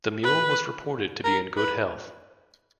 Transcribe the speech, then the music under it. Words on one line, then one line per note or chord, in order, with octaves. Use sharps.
The mule was reported to be in good health.
B4
A#4
B4